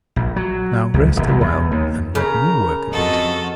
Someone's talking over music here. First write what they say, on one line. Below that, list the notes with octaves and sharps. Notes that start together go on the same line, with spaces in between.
"Now rest awhile-and let me work a bit."
A#1
F#3
C#2
D#1
C2
E2
D#2
C#3 A#4 A#5
F2 F#4 A4 D#5